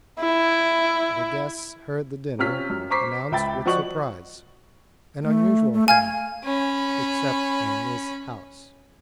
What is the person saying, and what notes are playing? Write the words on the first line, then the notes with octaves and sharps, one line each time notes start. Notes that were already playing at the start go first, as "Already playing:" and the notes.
The guests heard the dinner announced with surprise,--an unusual thing, except in this house.
E4
C3 C#4 F4 F6 B6
F#2
C5 A#5 C#6 D6 B6 C7
C#2 E5 G5 B5 A6
F3 F#4 D5 D#5 C#6 F#7
A3
A3
F5 G#5 F6 G#6
C#4 B5